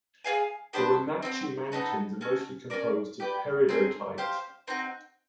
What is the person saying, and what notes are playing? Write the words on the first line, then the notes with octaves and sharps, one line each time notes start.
The Wenatchee Mountains are mostly composed of peridotite.
G#4 C#5 F5 G#5
B3 D4 G4 C5
C4 D#4 F#4
B3 D#4 F#4 A4
A3 C#4 F#4
C#4 F4 A#4 D5
G4 B4 D5 G5
C4 D#4 G#4
G4 C5 F5
C4 D#4 F#4